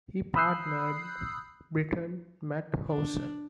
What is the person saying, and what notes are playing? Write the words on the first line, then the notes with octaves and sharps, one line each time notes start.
He partnered Briton Matt Howson.
B5 D#6 E6 F#6 G6 C7
D4